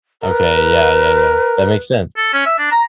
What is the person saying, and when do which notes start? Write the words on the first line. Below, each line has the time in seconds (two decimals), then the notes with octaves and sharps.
Okay, yeah, yeah, yeah. That makes sense.
0.23 A#4 B4
2.17 A4
2.33 C#4
2.46 E5
2.59 D4
2.71 A#5